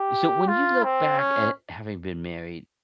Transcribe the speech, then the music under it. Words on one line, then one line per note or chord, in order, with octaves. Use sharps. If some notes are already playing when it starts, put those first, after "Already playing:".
So, when you look back at having been married
Already playing: G4
F4
C4
C#4